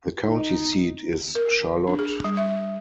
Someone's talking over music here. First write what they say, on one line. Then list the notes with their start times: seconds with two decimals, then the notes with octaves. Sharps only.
The county seat is Charlotte.
0.24 D#4
1.35 A#4
1.87 D4
1.99 G#4
2.24 G3
2.37 E5